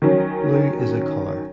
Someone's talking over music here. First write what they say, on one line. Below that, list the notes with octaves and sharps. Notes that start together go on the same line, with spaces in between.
Blue is a colour.
D#3 F#3 C#4